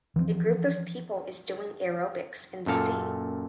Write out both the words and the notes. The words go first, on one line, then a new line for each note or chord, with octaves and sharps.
A group of people is doing aerobics in the sea.
E3 F3 A#3 C4
F#2 A#2 A4 F5